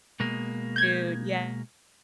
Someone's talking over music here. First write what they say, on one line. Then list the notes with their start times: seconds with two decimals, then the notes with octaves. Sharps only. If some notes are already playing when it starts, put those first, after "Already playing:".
Dude, yeah.
0.20 B2 G#3 A#3
0.76 G6 G#6